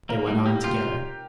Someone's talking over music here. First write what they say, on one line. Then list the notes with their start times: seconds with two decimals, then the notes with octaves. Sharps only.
They went on together.
0.09 A#3 A#4
0.27 G3
0.45 A#3 G4
0.64 F4 G4